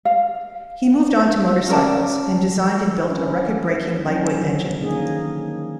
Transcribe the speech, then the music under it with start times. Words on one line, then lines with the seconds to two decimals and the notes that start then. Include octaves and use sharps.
He moved on to motorcycles and designed and built a record breaking lightweight engine.
0.05 F5
1.68 C#4 A#4 D5 A5
3.08 C#4 D4 E4
4.07 D#3 F3 F#3 C#4
4.81 D3 D#3 A#3 C#4 D#4 G#4